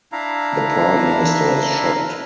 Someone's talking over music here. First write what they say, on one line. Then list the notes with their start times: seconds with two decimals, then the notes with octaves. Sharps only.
The Prime Minister is shocked.
0.12 D4 E4 F5 A#5